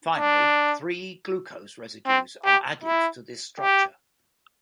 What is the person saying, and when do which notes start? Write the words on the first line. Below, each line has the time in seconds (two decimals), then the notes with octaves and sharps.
Finally, three glucose residues are added to this structure.
0.16 D4
2.07 C4
2.45 G4
2.84 E4
3.60 G4